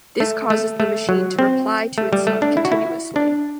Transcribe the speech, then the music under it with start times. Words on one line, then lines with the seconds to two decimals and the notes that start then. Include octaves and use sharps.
This causes the machine to reply to itself continuously.
0.20 A3
0.50 A3
0.80 A3
1.09 F#3
1.39 C4
1.98 A3
2.13 G3
2.27 A3
2.42 D4
2.57 E4
2.65 F#4
2.72 E4
3.16 D4